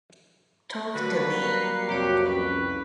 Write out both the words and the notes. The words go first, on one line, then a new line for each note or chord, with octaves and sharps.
Talk to me.
D3 F#3 G3 A#3 F#4 B4
A#5 C7 C#7
C2 F2 F#4 G4 C#5
C#4 B4